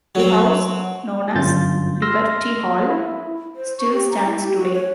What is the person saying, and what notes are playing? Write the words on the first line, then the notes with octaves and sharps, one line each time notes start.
The house, known as "Liberty Hall", still stands today.
F#3 C4
G1 F#2 F4 G6 A6
C6 E6 F6 A#6
E4
C5
C#6
G4
A#5
E4
G4
F#4
C#5